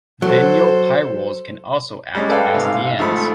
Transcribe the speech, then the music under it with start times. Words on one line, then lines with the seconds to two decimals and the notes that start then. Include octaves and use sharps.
Vinylpyrroles can also act as dienes.
0.22 F#3 A4 C5
2.15 G3 G#3 C#4
2.29 A4 B4 D5 E5 F5 G5
2.54 G#2 C3
2.67 F5
2.99 G#1 F3 A3 A4 B5